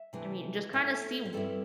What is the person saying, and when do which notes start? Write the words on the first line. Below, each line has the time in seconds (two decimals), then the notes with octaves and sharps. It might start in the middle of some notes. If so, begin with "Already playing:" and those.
I mean, just kinda see w
Already playing: E5
0.13 C3 E3 A3 D4
0.73 A2 A3 E4
1.25 C5
1.33 G2 G3 C4 E4 A4 D5